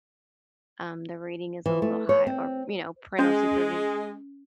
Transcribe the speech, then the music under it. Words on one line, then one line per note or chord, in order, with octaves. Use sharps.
um, the rating is a little high or, you know, parental supervision,
E3
A3
C#5
C4
G#3 C#4